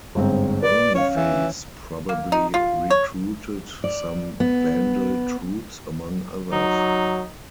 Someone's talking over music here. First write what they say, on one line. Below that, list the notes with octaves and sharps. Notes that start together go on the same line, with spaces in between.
Boniface probably recruited some Vandal troops among others.
G1 G#2 C4
B4 D5
C#4 C#5 F5
E3
A#3
D#4
F4
C#5
D5
B3
F#3 D#4